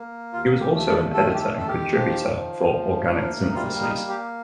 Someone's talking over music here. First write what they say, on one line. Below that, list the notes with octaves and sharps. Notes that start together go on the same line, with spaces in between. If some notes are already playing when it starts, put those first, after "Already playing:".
He was also an editor and contributor for "Organic Syntheses".
Already playing: A#3
D#2 F4
G4
A3
A4
D#3 A4
G4
A4
D#3 A4
G4
F3
F3
D2
A#3
D#4
G3 F4
D#4
A#3
G4